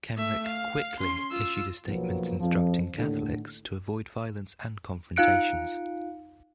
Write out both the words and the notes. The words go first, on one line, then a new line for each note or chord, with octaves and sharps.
Kenrick quickly issued a statement instructing Catholics to avoid violence and confrontations.
A3 E5
F5
C#4 C6
F4 E6
B1 F3 F#3 A#3 B3
F2 F3
D#2 A2 D3
D#4 F4 F5 F#6 C#7 D7